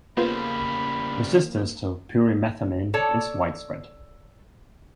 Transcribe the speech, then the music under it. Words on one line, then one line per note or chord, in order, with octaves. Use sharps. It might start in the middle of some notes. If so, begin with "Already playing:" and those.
Resistance to pyrimethamine is widespread.
C#3 G3 A#3 B3 F4 C5 B5
A4 C#5 D5 A5